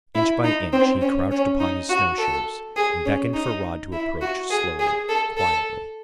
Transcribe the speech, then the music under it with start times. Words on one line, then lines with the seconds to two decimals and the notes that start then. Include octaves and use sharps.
Inch by inch he crouched upon his snow-shoes, and beckoned for Rod to approach, slowly, quietly.
0.15 E4
0.44 D#4
0.73 C4
1.01 C#4
1.31 C#4
1.60 D#4
1.89 F#4
2.18 A4
2.76 G#4
3.06 C#4
3.34 D#4
3.92 E4
4.21 F#4
4.50 G#4
4.80 G#4
5.09 A4
5.37 A4